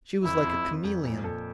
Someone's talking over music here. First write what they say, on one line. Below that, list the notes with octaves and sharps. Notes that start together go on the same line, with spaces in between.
She was like a chameleon.
F2 E4
F2
F2
F2
A#2
A4